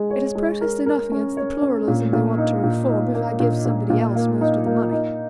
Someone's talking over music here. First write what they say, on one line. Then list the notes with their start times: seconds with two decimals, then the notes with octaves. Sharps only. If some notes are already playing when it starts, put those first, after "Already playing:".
It is protest enough against the pluralism they want to reform if I give somebody else most of the money.
Already playing: G#3
0.10 C#5
0.35 G#3
0.61 A#4
0.86 A#4
1.12 C#4
1.37 C#5
1.62 C#4
1.88 A#2
2.13 A#2
2.38 D#4
2.63 A#2
2.89 D#4
3.15 A#3
3.40 A#2
3.65 A#2
3.90 A#2
4.16 A#3
4.41 D#4
4.66 A#3
4.92 D#4